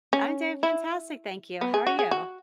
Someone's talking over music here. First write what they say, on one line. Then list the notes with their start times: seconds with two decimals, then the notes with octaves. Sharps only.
I'm doing fantastic, thank you. How are you?
0.13 C#4
0.63 E4
1.61 B3
1.74 G#4
1.87 F#4
1.99 G#4
2.11 F#4